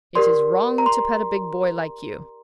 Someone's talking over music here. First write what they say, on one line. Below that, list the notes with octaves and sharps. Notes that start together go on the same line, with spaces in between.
It is wrong to pet a big boy like you.
G4 A#4 D5 C6
A#5
C6